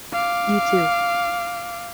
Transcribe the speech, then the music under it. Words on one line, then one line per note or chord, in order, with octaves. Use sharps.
You too.
F5 D6